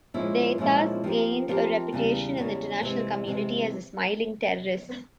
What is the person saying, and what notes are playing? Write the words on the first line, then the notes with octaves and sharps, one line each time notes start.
They thus gained a reputation in the international community as the smiling terrorists.
A#2 F3 G#3 C#4 E4
A#2 F3 G#3 C#4 E4
F3 C4 G4 A#4
F3 C4 G4 A#4
E2 C#3 G3
E2 C#3 G3
C3 E3 G#3 C4
C3 E3 G#3 C4